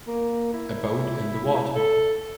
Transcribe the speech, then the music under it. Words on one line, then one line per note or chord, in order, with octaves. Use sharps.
A boat in the water.
A#3
E4
A4